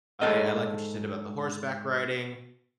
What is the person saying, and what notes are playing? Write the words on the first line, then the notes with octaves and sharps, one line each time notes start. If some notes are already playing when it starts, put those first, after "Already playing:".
I I like what you said about the horseback riding.
G#2 A4 D#5